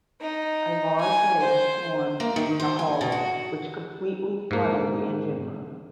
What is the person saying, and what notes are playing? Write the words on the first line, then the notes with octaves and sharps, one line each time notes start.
A large hole was torn in the hull which completely flooded the engine room.
D#4
G#5
C5
A#3
D#3
C5
G#5
B2
F#4
G#2 A#3